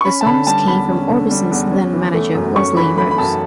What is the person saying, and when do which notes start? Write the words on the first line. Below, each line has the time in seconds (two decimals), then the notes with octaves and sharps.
The songs came from Orbison's then manager Wesley Rose.
0.01 C#6
0.05 C#4 B5
0.21 A5
0.26 D3 B5
0.47 G3 A5
0.67 E2 B5
0.89 C#4
1.09 D3
1.31 G3
1.51 E2
1.72 C#4
1.93 E3
2.14 A3
2.35 F#2
2.56 C#4 C#6
2.77 E3 B5
2.97 A3 B5
3.11 B5
3.18 F#2 A5